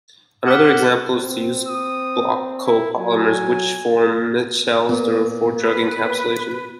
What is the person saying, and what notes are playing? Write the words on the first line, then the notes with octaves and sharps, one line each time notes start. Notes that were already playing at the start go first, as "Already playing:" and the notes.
Another example is to use block co-polymers, which form micelles for drug encapsulation.
F#5 D6 F6 B6
C4
D#6
E4
F#3 G#5
A#2 B3
B4